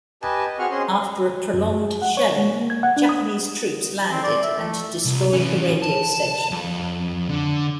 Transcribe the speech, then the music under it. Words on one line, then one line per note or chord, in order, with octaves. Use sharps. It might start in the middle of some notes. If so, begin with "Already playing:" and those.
After a prolonged shelling, Japanese troops landed and destroyed the radio station.
G4 B4 D#5 G#5 A5
D#5
C4 F#4 G#4 F#5 C#6 F6
C#4 G#4 C5 D#5 C6
F#2
G#4
F#5
C#5
G#3
A#3
G#6
F#5
D4
D#6
C4
D5
E5
A3
C2
E3 C#4
A5
F2
D3